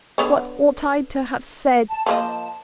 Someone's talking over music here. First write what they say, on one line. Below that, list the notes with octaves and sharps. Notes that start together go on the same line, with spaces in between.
What ought I to have said?
D3 B3 C#5
A5
F3 A#3 D#5 A5